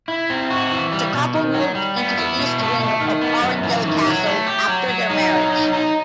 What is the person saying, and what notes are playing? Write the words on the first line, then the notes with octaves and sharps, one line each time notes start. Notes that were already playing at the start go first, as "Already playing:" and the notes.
The couple moved into the East wing of Arundel Castle after their marriage.
E4
C4
F#4
E3
G3
B2
D#3
F#3
G3
B3
E4
B2
A3
A3
D#3
B3
F#2
E3
D#3
F#3
A3
G4
F#3
F#3
D#4
F#3
D#4
D#4